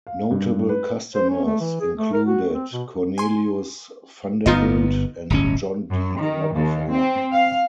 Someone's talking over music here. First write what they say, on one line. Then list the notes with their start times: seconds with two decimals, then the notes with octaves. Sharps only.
Notable customers included Cornelius Vanderbilt and John D. Rockefeller.
0.07 F5
0.31 G2
0.69 B4
1.15 C5
1.29 C#4
1.45 A3
1.60 E3
1.80 G#4
1.98 A3
2.13 A#4
2.27 F#4
2.54 C4
2.73 B2
3.18 G#5 C6
4.46 G1 B3 D#4 F4 D#5
5.30 D1 G1 C#4
5.90 F#2
6.19 D#3
6.54 D#2
6.92 C4
7.32 F5